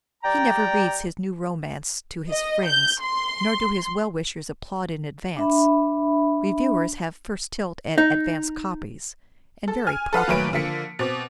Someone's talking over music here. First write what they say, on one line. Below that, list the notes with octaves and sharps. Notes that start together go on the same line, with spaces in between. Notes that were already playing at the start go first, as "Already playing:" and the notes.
He never reads his new romance to his friends, nor do his well-wishers applaud in advance. Reviewers have first tilt at "advance copies," and very properly.
G3 D5 G5 A#5
D#5
G6
C6
D4 E5 B5
D#4
A4
G#5 F6
A4 B4 F5 F#5
A#2 D#3 F#3 A3 B4 D7
D3 F3 A#3 B6 C#7
B2 C4 D6